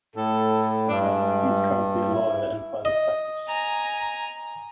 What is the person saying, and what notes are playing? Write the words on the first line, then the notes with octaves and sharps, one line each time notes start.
He is currently a lawyer in private practice.
A2 A4
G2 D4
G#3
E4
D#5
G#5 A#5